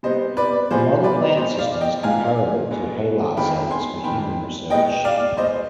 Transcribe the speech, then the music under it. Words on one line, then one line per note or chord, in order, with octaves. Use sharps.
The model plant system is comparable to HeLa cells for human research.
C3 G3 B3 C5 D#5
B4 D5
C3 F3 B3 G#4 C5
B4 D5
B2 G#3 B3 C5 D#5
D5 F5
D#5 G5
G#2 F3 G#3 B3 F5 G#5
B2 G#3 B3
F2 D#3 G#3 B3 G5 B5
G#5 C6
F2 D#3 B3 G5 B5
B2 G#3 B3 D#5 G5
D5 F5
B2 G#3 B3 C5 D#5